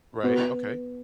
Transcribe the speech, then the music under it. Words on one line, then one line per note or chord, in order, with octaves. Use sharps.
Right, okay.
B2 B3